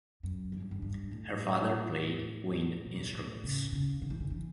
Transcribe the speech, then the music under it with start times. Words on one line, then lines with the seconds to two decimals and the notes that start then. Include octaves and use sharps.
Her father played wind instruments.
0.23 F#2
0.52 G2
0.71 F#2
0.82 G2
1.11 A2
2.85 B2
3.13 A2
3.43 C#3
3.72 C#3
4.02 D3
4.10 E3
4.20 D3
4.30 E3